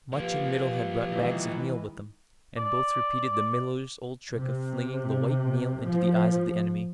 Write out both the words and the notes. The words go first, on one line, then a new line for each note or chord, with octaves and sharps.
Much and Middle had brought bags of meal with them, and both repeated the miller's old trick of flinging the white meal into the eyes of the enemy.
F3 A#3 G4 B4 F5
D#3 E3 G#3
D5
C3
F3